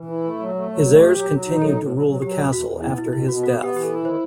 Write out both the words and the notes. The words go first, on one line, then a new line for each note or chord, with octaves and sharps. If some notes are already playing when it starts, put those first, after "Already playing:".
His heirs continued to rule the castle after his death.
Already playing: E3 B4
E4
A3
F#3
A3
F#3
A3
G4
F#3
F#3
D#4
F#3 A4
A2
F#3
F#3
F#3 G4
E2
E2 F#4
E2
B3 E4
B2 E4
B2 E4
B2 F#4
B3 F#4
B3 G4
E3 G4
A4
E4
D#3 C5